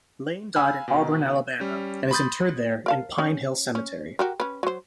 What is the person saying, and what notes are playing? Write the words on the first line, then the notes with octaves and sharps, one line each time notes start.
Lane died in Auburn, Alabama, and is interred there in Pine Hill Cemetery.
F5 G#5 B5 E6 F#6
B2 D#3
G3 C#4
B5 C6 D#6 G6 A6
A#4 F5 A5
C#4
C#4
F#4 G4 A#4
C#4 B4
F#3 C5